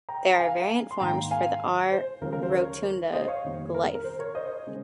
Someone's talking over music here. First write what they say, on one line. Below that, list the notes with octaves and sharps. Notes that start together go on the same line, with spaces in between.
There are variant forms for the "r rotunda" glyph.
G5 A#5
A#5
F5 G#5
C6
G#2 D#3 A#3 G5 A#5
F5 G#5
C5
D#2 C#3 F3 G#3 A#4
A#4
C5
A#4 C#5
C5 D#5
C#5 F5
F2 D#3 G3 A#3
A#4
A#4
C5
A#4 C#5
C5 D#5
C#3 G#3